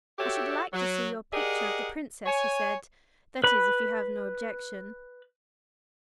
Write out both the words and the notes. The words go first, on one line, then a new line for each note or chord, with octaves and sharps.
"I should like to see your picture of the Princess," he said,--"that is if you have no objection."
F#4 G4 A4 C#5 E5 G5
F#3
G4 G#4 A#4 D5 D#5 F#5
C#5 G#5
B4 B5